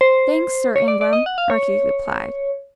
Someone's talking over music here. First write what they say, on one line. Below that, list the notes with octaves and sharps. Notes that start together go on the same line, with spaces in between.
"Thanks, Sir Ingram," Archie replied.
C5
C#5
D5
D5
D#5
F#5
F5
C#5